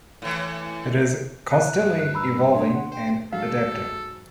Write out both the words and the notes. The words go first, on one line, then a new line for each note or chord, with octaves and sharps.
It is constantly evolving and adapting.
A2 E3
F#6
G2
A#5 B5 E6
D4 C#5 C6
F#5
C5 G5
G#2 F#3 A4 F5